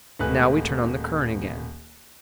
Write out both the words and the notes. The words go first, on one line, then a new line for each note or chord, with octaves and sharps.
Now we turn on the current again.
D#1 G#3 A3 B4 G#5 F#6